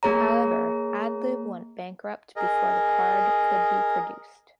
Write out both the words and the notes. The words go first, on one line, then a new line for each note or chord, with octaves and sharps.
However, AdLib went bankrupt before the card could be produced.
A#3 G#4 C#5 A#5
G#4 A#4 D#5